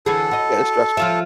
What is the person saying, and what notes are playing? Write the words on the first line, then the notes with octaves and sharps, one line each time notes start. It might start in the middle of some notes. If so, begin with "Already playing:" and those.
Yeah, that's stress
D3 E3 G#4 A4
F#4 D#5
F3 F4 E5